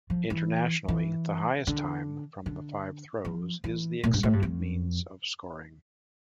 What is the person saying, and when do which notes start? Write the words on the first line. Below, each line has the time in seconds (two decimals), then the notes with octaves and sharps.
Internationally, the highest time from the five throws is the accepted means of scoring.
0.10 F3
0.30 E3
0.88 E3
1.67 D3
2.46 D3
3.25 F3
3.64 E3
4.04 A#2
4.13 G2
4.23 A2
4.33 G2
4.43 F2